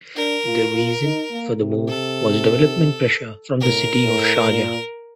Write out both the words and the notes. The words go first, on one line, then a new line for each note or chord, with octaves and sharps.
The reason for the move was development pressure from the city of Sharjah.
D4 A#4
F4
F4
D#4
A#3
C3
A4
A2 A#4
A2
A#2